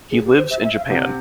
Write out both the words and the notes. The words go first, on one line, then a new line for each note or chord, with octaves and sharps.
He lives in Japan.
G#4
G4
C5
E5
E5
F5
C3 F#5